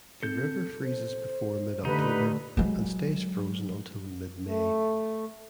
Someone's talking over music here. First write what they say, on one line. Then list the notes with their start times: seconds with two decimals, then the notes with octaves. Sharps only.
The river freezes before mid October and stays frozen until mid May.
0.23 C4 A4 G6
0.83 C5
1.85 D3 A3 D#4 G4 B4
2.57 F#3 G#3
4.47 A3